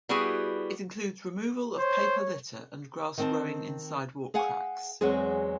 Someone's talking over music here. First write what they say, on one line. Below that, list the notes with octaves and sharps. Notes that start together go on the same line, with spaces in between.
It includes removal of paper litter and grass growing in sidewalk cracks.
G3 B3 E4 F#4 G#4
C5 C#5
D#3 C4 A5
G#4 F5 F#5 G#5
E2 F#3 G#3 C4 G#4